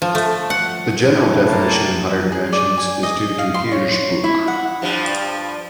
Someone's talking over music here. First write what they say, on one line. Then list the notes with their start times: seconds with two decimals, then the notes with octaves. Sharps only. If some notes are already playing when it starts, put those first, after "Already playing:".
The general definition in higher dimensions is due to Hirzebruch.
0.02 F3
0.15 A3
0.50 F#5
1.11 A2
1.49 A#3 A5
2.32 G#4
2.53 D5
2.78 G#5
3.03 D#5
3.38 F5
3.54 C6
3.72 C#5
4.24 E4
4.48 F#5
4.82 G2 F3